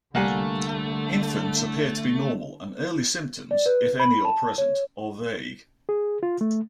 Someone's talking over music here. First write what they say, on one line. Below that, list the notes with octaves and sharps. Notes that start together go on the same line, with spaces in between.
Infants appear to be normal and early symptoms, if any are present, are vague.
C2 D3 G3 A3 A#3 F#5 G#5
D5
B4
B5
A5
C#5
G#4
F4
A3